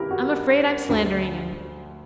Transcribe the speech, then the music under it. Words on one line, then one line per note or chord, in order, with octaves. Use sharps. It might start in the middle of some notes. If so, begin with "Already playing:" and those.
I'm afraid I'm slandering him.
Already playing: G2 E4 G4 A#4
F#4
D2 D3